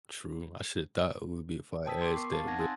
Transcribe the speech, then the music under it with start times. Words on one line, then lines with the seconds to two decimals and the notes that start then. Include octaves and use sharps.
True. I should've thought it would be if I asked that, but,
1.86 G5 A5 D#6 E6 B6
2.01 C6 D6
2.16 B3 A#4 C#6 D6 C7
2.32 F5 A5 A6
2.46 C4 D#4 F#5 A5 G#6 A#6
2.59 G#5 C6 D#6 E6 F#6 A6